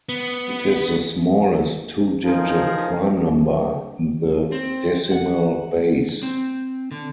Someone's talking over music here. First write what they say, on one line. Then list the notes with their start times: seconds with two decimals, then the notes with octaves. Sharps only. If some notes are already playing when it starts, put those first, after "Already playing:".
It is the smallest two-digit prime number in the decimal base.
0.09 B3
2.25 E3 F3 C4 D#4 G#4 A#4
4.52 C4
5.12 F#5
6.23 C4
6.91 D3